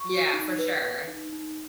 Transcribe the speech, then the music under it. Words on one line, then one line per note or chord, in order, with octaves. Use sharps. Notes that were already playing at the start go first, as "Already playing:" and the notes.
Yeah, for sure.
Already playing: C#6
F#4
D#4
B4
B4
D#4
D#4